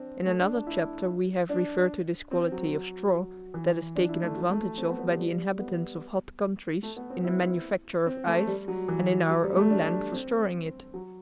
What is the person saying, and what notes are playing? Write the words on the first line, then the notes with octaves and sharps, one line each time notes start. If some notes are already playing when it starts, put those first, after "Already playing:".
In another chapter we have referred to this quality of straw, that is taken advantage of by the inhabitants of hot countries in the manufacture of ice and in our own land for storing it.
Already playing: C4 D4
A3
D4
D4
E4
D4
C4
F#3
E3
D4
E4
A3
F#3
A3
C4
B3
B3
G3
G3
B3
A3
B3
C4
E4
C4
A3
G3
F#3
E3
F#3
G3
A3
D4
C4
F#3